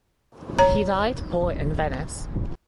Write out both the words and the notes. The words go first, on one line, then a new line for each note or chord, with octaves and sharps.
He died poor in Venice.
C#5 A#5